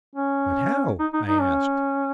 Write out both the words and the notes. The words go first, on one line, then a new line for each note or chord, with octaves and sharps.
"But how?" I asked.
C#4
D#4
D#4
D#4
C#4